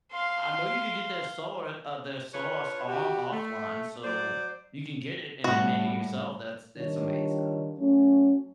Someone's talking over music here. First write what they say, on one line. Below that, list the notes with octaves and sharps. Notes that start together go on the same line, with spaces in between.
I know you can get their saur uh, their sauce on offline, so you can get it and then make it yourself, that's It's amazing.
F5 C6
D4 F4 B4 C#5
F#4 G4
A3
F#3 C5 D5
A2 G3 F#4
D#3 G3 D4 F4 C#5
F#3 A3 C#4